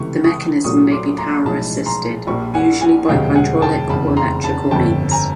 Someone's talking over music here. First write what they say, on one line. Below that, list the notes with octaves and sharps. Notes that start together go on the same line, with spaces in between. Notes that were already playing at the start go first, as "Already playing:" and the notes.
The mechanism may be power-assisted, usually by hydraulic or electrical means.
Already playing: C#2 C3 E3 A3 C#6
C#6 D#6
C2 A#2 F#3 A3 C#6 D#6
C6 D6
A#5 C6
B1 A2 F3 G#3 A5 B5
A#5 C6
A#1 A#2 G3 B5 C#6
F#5 G#5
F#5 G#5
E1 D2 C3 F3 G#3 F5 G5
F#5 G#5
G5 A5
F1 E2 C#3 A5 B5
A#5 C6
A5 B5
G1 F2 D3 F3 A3 G5 A5
G#5 A#5